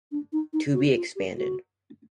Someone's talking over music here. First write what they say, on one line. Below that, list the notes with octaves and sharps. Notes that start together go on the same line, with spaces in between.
"To be expanded".
D4
D#4
D#4
F#4
F4
G4
F#4